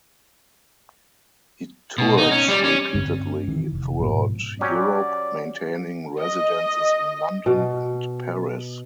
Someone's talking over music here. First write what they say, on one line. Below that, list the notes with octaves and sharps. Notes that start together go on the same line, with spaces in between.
He toured repeatedly throughout Europe, maintaining residences in London and Paris.
B2
D#4
C#4
G3
C#4
G2 D3 C4
D#3 E3
F1
G#2 B2 F3
F#3 C#4 G4 D5
D#5
B2